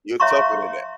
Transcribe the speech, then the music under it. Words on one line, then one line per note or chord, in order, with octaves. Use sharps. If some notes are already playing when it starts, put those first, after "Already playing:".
you're tougher than that.
C#5 E5 F5 A#5 C6 C#6